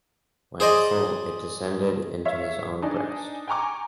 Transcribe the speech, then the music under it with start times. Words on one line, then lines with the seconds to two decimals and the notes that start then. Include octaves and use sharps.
When full, it descended into his own breast.
0.60 G#4 C5 D5 D#5
2.25 C#5 E5 F5
2.82 D4 D#4 D5 G#5
3.48 G5 G#5 A#5 C#6 D6